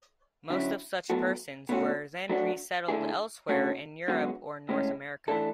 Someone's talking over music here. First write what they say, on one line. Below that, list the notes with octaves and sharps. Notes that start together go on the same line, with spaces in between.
Most of such persons were then resettled elsewhere in Europe or North America.
D3 F#3 C#4 E4
A2 F#3 B3 F#4 A4
B2 A3 C#4 F#4
F#3 A3 D4 F#4
D3 A3 E4 G#4
D3 A3 C#4 F#4
F#2 D3 G#3 B3 F#4
A2 G#3 C#4
E3 A3 D4 A4